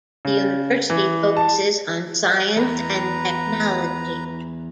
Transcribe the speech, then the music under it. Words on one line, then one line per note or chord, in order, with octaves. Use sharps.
The University focuses on science and technology.
C#3
E3
A5
E2 B4 A#5